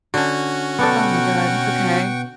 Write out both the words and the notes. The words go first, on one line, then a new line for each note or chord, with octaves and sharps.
Oh, my god. Okay.
D3 C#4 F#4
B2 B3 D4 A4 F#5 G5 C#6